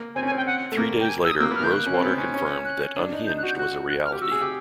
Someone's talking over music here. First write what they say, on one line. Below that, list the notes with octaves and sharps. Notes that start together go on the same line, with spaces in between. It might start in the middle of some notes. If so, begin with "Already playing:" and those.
Three days later, Rosewater confirmed that "Unhinged" was a reality.
Already playing: A#3
C4 G#5
C#4
G#5
C4
G5
F#5
A3
A#3
G5
G#5
E6
D#6
A#3 E6
B3 F6
A#3 G6
F#6
C#4
C4
B3
C#4
C#4
F#6
D4
D#4
D#4 G6
F#6
F#4
G6
F#4 F#6
F#6
F6
G4
F#4 E6
G#4
G4